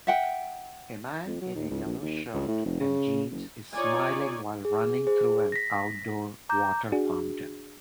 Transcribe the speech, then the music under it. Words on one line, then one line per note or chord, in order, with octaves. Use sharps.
A man in a yellow shirt and jeans is smiling while running through an outdoor water fountain.
E5 F#5 G5
F2
F#3
D#2
C#2
A#1
D#2
C#2
A2
F1
C#3
F#1
D#4 F4 C#5 D5 G#5
G#4
G#4 C5
A#6 B6
A#5 D6 G6
D4 F#4 G#4